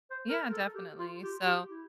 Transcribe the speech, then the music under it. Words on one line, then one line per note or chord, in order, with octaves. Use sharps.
Yeah, definitely, so.
C5
A#4
A4
G4
F4
G4
G4
E4